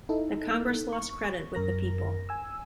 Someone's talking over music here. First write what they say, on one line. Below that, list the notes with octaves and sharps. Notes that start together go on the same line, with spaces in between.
The Congress lost credit with the people.
D#4 E4 A4
C#6
F#2 A#4 A#6
G#5 E6